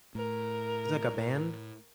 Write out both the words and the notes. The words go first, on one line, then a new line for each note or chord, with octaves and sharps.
It's, like, a band?
A2 A#4